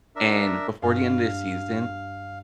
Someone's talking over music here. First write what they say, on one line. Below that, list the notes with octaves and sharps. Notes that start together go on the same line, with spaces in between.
and before the end of the season,
D4 A#4 E5
G2 F5